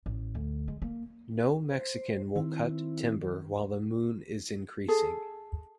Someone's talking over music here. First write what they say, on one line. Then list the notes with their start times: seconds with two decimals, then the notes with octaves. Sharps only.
No Mexican will cut timber while the moon is increasing.
0.06 A1
0.35 D2
0.68 G#3
0.82 A#3
1.72 C5
2.36 D#3 C4 E4
4.88 G#4 A4